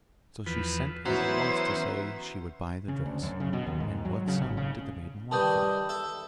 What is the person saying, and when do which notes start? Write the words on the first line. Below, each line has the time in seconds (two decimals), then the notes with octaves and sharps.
So she sent at once to say she would buy the dress, and what sum did the maiden want for it.
0.46 E2 F3 B4
1.06 E3 F#3 B3 C#4 B4 C5 E5 A#5
2.88 C#3
3.06 D2
3.22 F#2
3.40 C#3
3.53 B2
3.66 D#2
3.80 G#2
4.05 F#3
4.28 C#3
4.42 G#1
4.57 C#3
5.31 D#3 E3 G3 A5 D#6 G6
5.89 A4 E5